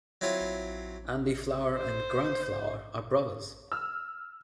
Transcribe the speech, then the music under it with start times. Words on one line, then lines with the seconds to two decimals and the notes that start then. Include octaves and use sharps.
Andy Flower and Grant Flower are brothers.
0.21 F#3 C4 E4 F4 C#5
1.74 C5
3.72 E6 F6